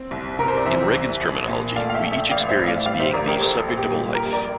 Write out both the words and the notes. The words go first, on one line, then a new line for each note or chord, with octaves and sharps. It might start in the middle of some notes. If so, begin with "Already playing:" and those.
In Regan's terminology, we each experience being the subject-of-a-life.
Already playing: C4
C2
C3 A#4
C5
D5
E3 C5 E5
C2
A#1
A#2
A3 D5 F5
F5
E5 G5
A#1
E5 G5
A1 D5 F5
C5 E5
A2
D5 F5
G3 D5 F5
C5 E5
A1 A#4 D5
G4 A#4
A#1 A4 C5
A4
A#2
G4
G3
G4 A#4
A#1
A#4 D5